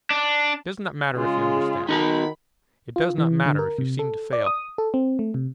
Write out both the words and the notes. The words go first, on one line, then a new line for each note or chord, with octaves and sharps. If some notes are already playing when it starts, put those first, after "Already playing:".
It does not matter if you understand. It does not matter if you seem to fail.
D4
C#3 G#3 F4
D#3 D#4 F#4 A#5 B5
F4
E3
D3
A#4
C3
A4
D5
D#6
A4
C4
A3
C3